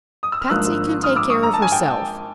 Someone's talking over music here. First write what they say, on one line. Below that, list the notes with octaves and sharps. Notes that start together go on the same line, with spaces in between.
"Patsy can take care of herself."
D#6
E6
F6
G#1 G#2 F3 A#3 D4 E6 F#6
D#6 F6
D6 E6
C#6 D#6
A#5
A5
G#5
G5 A5